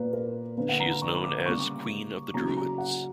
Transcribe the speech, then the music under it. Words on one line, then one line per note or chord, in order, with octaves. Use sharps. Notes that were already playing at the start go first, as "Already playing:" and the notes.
She is known as "Queen of the Druids".
Already playing: A#2 A#3 B4
A#4
D3 A#3 B4
F#5
A#5
B5
C#6
D6
C#3 G3 A#3 C#6
C#3 F#3 A#3 A#5
A#5
F#5